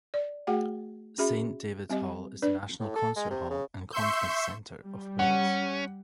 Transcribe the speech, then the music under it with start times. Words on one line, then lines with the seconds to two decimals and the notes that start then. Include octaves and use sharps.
Saint David's Hall is the National Concert Hall and Conference Centre of Wales.
0.14 D5
0.47 A3 F#4 G#4 F#5 G5
1.18 C#4 F#4 G#4 E5 B5
1.90 G3 C4 G4 D#5
2.42 D4 B4 D5
2.80 A2
2.96 A4
3.16 G#3
3.31 C3
3.50 C#3
3.93 E5 C6 C#6 E6 G6
4.83 G3
5.19 C#4 F#5